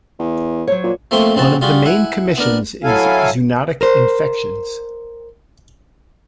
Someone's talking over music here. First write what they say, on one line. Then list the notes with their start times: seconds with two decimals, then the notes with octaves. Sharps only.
One of the main commissions is zoonotic infections.
0.19 E2
0.67 F#3 C5 C#5
0.83 A#2
1.11 F3 A3 A#3 C4 C6 C#6
1.35 A#1 C#3 C4 F#4 A5
1.61 G3 F4 F#4 G#4
1.85 E4 F#5 G#5
2.38 B3 D4 A#4
2.84 F#3 E4 A4 F5 G#5
3.81 A#4 C5